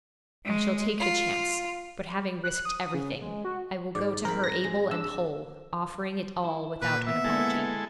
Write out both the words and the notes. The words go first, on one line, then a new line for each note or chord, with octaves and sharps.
'I shall take the chance; but having risked everything, I will go to her able and whole, offering it all without an apology.'
G#3
F4
F#6
D#6
D#6
C#3
G#3
F#4
G#2 D5
C4 A#4 B5
A#6
G#3
D4 E6
E4
A#2 B4
A#3 B3 E5
G#3 A#3 B3 E4 A4